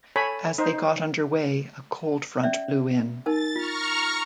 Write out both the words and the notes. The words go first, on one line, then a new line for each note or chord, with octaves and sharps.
As they got underway, a cold front blew in.
A4 C#5 G#5 B5
D#4 C5
C#4 D5 E5
D#4 A#4 A5 A6
F4 A#5 C#6 F6